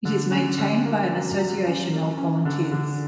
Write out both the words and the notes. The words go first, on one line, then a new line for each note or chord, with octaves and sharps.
It is maintained by an association of volunteers.
D3
C#4
D3
A#3
F#3
F#3
C#4
A#3
C#4
D3
D3